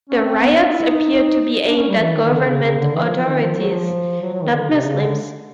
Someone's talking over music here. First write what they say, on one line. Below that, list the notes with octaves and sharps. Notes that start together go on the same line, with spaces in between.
The riots appeared to be aimed at government authorities, not Muslims.
C#4
C4
B3
D4
D#4
E4
D#4
D4
C#4
G3
E3
D#3
D3
C#3
C#3
D3
E3
F3
F3
D#3
F3
F#3
F3
F#3
F#3
D#3
D3
C3
C#3
D3